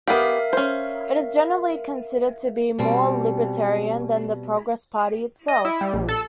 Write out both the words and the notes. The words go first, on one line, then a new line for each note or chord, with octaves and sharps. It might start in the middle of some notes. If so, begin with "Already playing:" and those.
It is generally considered to be more libertarian than the Progress Party itself.
B3 G4 A#4 E5 F5
C#4 C5
B2 G3 C4
D#5
E4
G3
A#1
A4